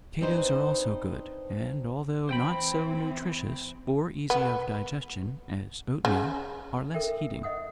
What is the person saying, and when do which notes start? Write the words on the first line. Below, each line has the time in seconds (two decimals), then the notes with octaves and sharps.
Potatoes are also good, and although not so nutritious, or easy of digestion, as oatmeal, are less heating.
0.21 C4 D4 D#4 B4 C5
2.29 E3 C4 C5 G5 B5
4.30 B3
6.05 C#3
6.94 A4 A#4 E5 G5
7.43 D#5 E5 F#5 D#6